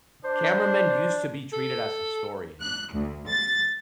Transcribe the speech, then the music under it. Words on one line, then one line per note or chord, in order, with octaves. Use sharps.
cameramen used to be treated as historians,
D4 C5
A4
F#6
D2
A6